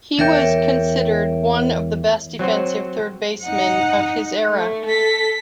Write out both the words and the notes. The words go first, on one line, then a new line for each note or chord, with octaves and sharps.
He was considered one of the best defensive third basemen of his era.
E2 A#4 C#5 E5 G5
F#3 C4 F#4 C5
D#4 F#5
A3
A4 B6